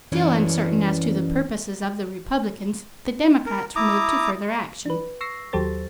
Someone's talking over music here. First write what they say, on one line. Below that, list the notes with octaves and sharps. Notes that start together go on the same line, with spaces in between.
Still uncertain as to the purposes of the Republicans, the Democrats were moved to further action.
F#2 C#3 E3 C#4 D4
A#4
E4 A#5 D6 D#6
D4 B4
C#6 E6 A#6 C7
D#2 F#3 G4 A4 C5 A6